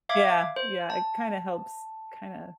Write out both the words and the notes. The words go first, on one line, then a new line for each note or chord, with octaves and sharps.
Yeah, yeah, it kinda helps. Kinda
E5 F5 D6 G#6
C5
A5